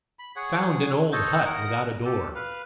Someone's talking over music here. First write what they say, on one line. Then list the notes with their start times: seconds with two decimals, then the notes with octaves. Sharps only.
He found an old hut without a door.
0.19 B5
0.36 G#4 C#5 F#5
1.12 A4 C5 C#5 D#5
1.45 A#4 D#5 F#5 A#5
2.05 G4 A4
2.35 B4 F5